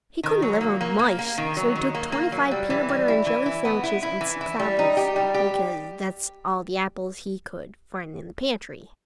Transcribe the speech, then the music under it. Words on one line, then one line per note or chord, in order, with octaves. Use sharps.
He couldn't live on mice, so he took twenty-five peanut butter and jelly sandwiches and six apples, because that's all the apples he could find in the pantry.
D#3
F#3
A#3
A#3
A#3
A#3
D#3
F#3
D#3
A#3
A#3
F#3
G3
E3
G3
E4
E3
E4
B3
E4
E4
E3
E4
G3
D#4
G4
G3
G4